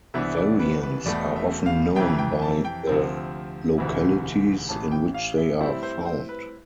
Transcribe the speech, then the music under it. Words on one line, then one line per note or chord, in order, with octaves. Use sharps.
Variants are often known by the localities in which they are found.
C2 C3 E3 B3 D4 E5
D5
B4
B4
E1 E2 B2 A3 D5
E5
F5
F2 C3 E3 G5
G5
A5
G5
D2 C3 F3 C4
E1 D2 C3 E3
A1 A2 E3 A5
G5
F5
E5
A2 G3 C4 E4 D5
C5
C5
B4